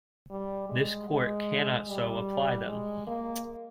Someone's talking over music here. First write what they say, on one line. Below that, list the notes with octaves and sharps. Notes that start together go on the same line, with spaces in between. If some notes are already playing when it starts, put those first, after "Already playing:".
This court cannot so apply them.
G3
G#3
G#3
G3
G#3
A#3